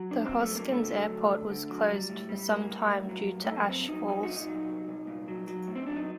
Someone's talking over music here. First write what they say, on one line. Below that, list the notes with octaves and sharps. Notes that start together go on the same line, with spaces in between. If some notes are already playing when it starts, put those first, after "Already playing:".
The Hoskins airport was closed for some time due to ash falls.
Already playing: F#3
G2 D4
C4
F#3
A3
G2
A#3
D3 A3
F#3
D2
D2
D3
F#3
G3
A2
G3
A2 A#3
G3
A2
F#3
G2
F#3 A3
A#3
G2 C4
F#3 D#4
G2 D#4
F#4
A#2 D#4
F#3
C2
C2
A#2
F#3
F#3
A2
C4
F#3 D4
D#4